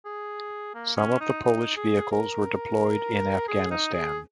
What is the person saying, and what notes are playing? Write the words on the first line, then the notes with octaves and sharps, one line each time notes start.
Some of the Polish vehicles were deployed in Afghanistan.
G#4
A#3
C#4
D#4
D#4
G#4
A#4
G#4
D#4
G#4